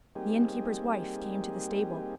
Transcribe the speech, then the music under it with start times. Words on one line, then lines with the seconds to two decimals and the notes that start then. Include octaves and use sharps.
The inn-keeper's wife came to the stable.
0.16 G3 A#3 C4 D#4 G4 G#4